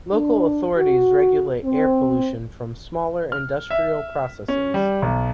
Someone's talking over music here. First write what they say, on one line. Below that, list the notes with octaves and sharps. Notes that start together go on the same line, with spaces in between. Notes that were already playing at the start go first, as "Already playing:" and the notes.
Local authorities regulate air pollution from smaller industrial processes.
D4
F#4
C4
F6
E5
C#4
G3
B1